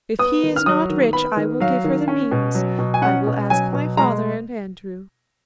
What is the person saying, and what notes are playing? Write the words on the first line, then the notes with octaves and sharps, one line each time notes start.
If he is not rich I will give her the means; I will ask my father and Andrew.
B3 D#6
D#3
F6
F#3 D#6
D#3
B3 B5
D#3
F#3 F5
D#3
C#4
B2
F#3
B2
G#5
C#4 F#5
B2
F#3 G#5
B2
G#3 A#5